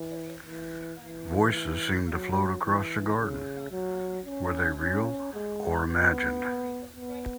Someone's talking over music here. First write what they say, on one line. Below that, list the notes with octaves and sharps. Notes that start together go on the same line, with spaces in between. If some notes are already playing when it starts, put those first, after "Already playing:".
Voices seemed to float across the garden, were they real or imagined?
Already playing: E3
E3
E3
F#3
E3
C#3
F#3
C#4
C#4
G#3
B3
B3